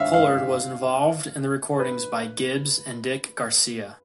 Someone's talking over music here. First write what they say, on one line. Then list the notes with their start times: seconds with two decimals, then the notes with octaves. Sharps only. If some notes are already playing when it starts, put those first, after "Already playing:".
Pollard was involved in recordings by Gibbs and Dick Garcia.
Already playing: E5 F5
0.14 F5
1.80 B4